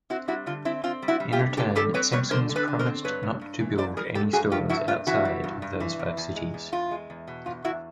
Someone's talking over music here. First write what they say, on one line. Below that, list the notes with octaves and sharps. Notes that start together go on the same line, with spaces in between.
In return, Simpson's promised not to build any stores outside of those five cities.
C4 E4 F#4
G3 E4 F#4
D3 F4
C4 E4
C4 F4
G3
E4 F#4
G3
F4 G4
D3
D3 G4 A4
G3 G4 A4
C4 B4 C#5
G3 B4 C#5
D3 A#4 C5
D3
A4 B4
D3
A#4 C5
C4
G2 B4 C#5
G2
G2
E3
G2 C5 D5
G3 G#4 A#4
G2 G4 A4
G2 F#4 G#4
G2 F4 G4
G2 E4 F#4
G2 F4
E3 E4 F#4
G3
G2
G2
E3
E2
E2
G#3
E2
E2 F4
G#3
E2
B2
E2 F4
E2 E4 F#4